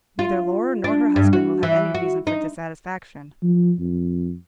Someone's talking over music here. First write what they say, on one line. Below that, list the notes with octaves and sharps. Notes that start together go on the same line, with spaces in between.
Neither Laura nor her husband will have any reason for dissatisfaction.
F4
D4
G2
F#4
E3
F#4
D#4
F3
F2